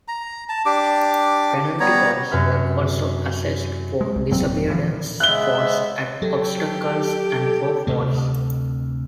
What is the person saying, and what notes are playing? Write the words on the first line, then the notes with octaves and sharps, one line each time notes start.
Penalty points were also assessed for disobedience faults at obstacles and for falls.
A#5
A5
D4 G4 D6
G3 B3 C#5 A#5
F#2 C3 B4 F6
G#3
C2
E1 A#2 F#3 C4
A#2 E3 F3
C#3 G#3 B3 E5 F#6 G7
F#3 G4 A4
D2 C3 A3